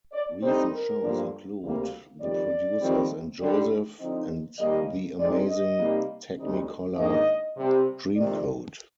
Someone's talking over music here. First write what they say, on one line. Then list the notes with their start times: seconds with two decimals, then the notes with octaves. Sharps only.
Recent shows include The Producers and Joseph and the Amazing Technicolor Dreamcoat.
0.12 D5
0.41 D3 G3 C4 D#4 C5
0.72 A#4
1.01 G2 D3 F3 A#3 D4
1.61 D2 C3 G3 A#3
2.20 F2 D#3 G3 D5
2.80 F2 D#3 G3 C4
3.40 D3 G3 D4
3.99 D3 F3 C4 D#4
4.59 D#2 D#3 G3 A#3 D#5
5.18 D3 G#3 C4 D#4 D5
5.48 D#5
5.79 C3 G3 A#3 D#4
6.38 D2 D3 G3 C4 D#4
6.97 G#2 D#3 A#3 D4 D#5
7.57 C3 G3 C4
8.16 F2 C3 D#3 D5